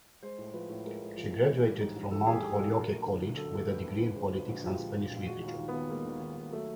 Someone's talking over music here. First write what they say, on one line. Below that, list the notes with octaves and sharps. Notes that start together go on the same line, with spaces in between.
She graduated from Mount Holyoke College with a degree in politics and Spanish literature.
G#3 C5
A2
F3 B4
A2
G#3 A#4
A2
F3
A2
E3
G3
G#2
A#1
E3 A4
G3 G#4
G4
G#2
A4
A#1
F#3 A#4
A3
D3
D2
F#3 A4
A3
D3 B4
D2
F3 B4
G#3 C5
A#2 B4
A#1 F#4
F3 G4
G#3
A#2
A#1
F4
G#3 F#4
D#2 F4
D#3
B3
D#2
G#3 A#3
D#2
D#3
D#2
F#3 A3